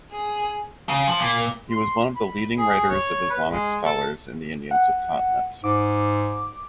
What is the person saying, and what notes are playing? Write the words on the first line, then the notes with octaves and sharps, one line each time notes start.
He was one of the leading writers of Islamic scholars in the Indian subcontinent.
G#4
C#3
F3
A#2
C6
B5
G#4
C#5
B4
G#3
A4
F#5
G#2 D6